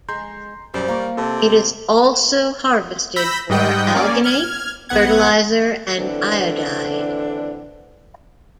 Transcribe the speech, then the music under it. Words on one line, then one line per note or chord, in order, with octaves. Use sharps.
It also is harvested for alginate, fertilizer and iodide.
G#3 A#5 C6 G6
F#2 F#3 G3 C5
A#3 F4 F5 A#5 C#6
C3 A4 A5
B5 E6 G6 A#6 B6
G#2 G3 D#5 F#5 G5 G6
A#3 C#4 D5 G#5
F6 G#6
B1 B3 F#5 G#6
A2 D3 E3 C4 D4